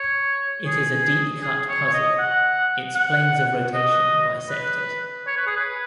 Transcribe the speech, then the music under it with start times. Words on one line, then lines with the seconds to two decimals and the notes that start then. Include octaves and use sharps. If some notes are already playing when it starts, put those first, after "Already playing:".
It is a "deep-cut" puzzle; its planes of rotation bisect it.
Already playing: C#5
0.66 G#4
1.42 G#4
1.68 C#5
1.86 C#5
1.93 D#5
2.19 F#5
2.95 F#5
3.74 D#5
4.50 B4
5.27 C#5
5.37 B4
5.47 G#4
5.57 B4